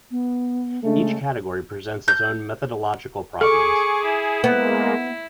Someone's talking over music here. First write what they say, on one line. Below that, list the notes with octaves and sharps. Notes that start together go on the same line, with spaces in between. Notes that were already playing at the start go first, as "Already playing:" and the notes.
Each category presents its own methodological problems.
B3
C#3 G#3 A3 D4
G6
G#4 A4 C#6 D6
E4
G#3 A#3 B3